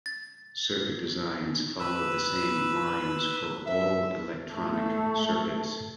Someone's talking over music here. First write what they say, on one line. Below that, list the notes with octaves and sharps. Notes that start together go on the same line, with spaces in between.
Circuit design follows the same lines for all electronic circuits.
A6
B4 E6
E5
A3